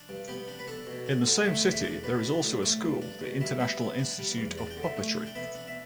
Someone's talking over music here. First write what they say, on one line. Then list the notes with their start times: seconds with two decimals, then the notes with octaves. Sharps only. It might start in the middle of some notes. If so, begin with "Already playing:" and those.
In the same city there is also a school: the International Institute of Puppetry.
Already playing: D4
0.09 G2
0.28 B3 G4
0.48 D4
0.59 B4
0.68 D4 A4
0.87 B2
1.06 D4
1.26 D3
1.45 A3 E5
1.59 G5
1.65 E2
1.71 E5
1.84 D4 D5
2.04 B2 B4
2.24 D4
2.43 A2
2.62 A3 D5
2.82 G2
3.02 D4
3.21 B2
3.41 G3 E5
3.60 B3 E5
3.80 B3
3.99 D4
4.19 G3
4.38 E2
4.57 D4 D5
4.71 G5
4.77 D3
4.83 E5
4.97 A3
5.16 D4
5.27 G5
5.35 B3 E5
5.55 D4
5.68 E5